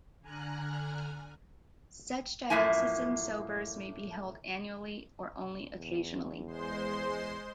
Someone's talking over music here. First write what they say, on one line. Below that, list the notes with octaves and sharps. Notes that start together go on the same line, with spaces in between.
Such diocesan sobors may be held annually or only occasionally.
D3 G#5 A#5 F6 F#6
F#2 A2 F3 A#3 E4 G#5
E2
G#3 C5 C6